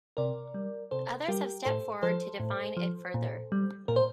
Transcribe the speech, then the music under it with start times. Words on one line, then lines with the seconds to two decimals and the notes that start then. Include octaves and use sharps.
Others have stepped forward to define it further.
0.17 C3 A#4 D5
0.54 G3
0.91 C3 A4 C5
1.28 G3 G4 A#4
1.65 A2 A4 C5
2.03 F3 A4 C5
2.40 A2
2.77 F3
3.14 A#2
3.52 G3
3.88 A#2 A#4
3.96 C5